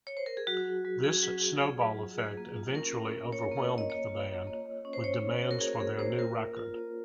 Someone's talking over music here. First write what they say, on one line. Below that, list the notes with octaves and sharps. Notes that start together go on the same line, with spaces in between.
This snowball effect eventually overwhelmed the band with demands for their new record.
C#5
C5
A#4
G#4
F#3 F#4
F#3
F#3
C#4 G#4
F#3
F#3
F4 G#4
F#3
F#3
F#3 G#4
A#3
F4
C#4 A#4
A#3
A#3
C#4 C#5
A#3
A#3
D#5
A#3 C#5
F4
A#3
A#3
A#3
C#4
C5
C#4 C#5
A#3
F#4
A#4
A#3 G#4
A#4
A#3 G#4
A#3 C5
F4 A#4
A#3
F4
A#3